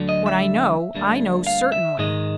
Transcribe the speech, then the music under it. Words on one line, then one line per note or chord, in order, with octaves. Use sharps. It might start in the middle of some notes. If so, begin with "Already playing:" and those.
What I know, I know certainly.
Already playing: D2 D3 F#3 D4
D#5
E5
D2 D3 G3 A#3 D4
F5
E5
G#2 D#3 G#3 D#5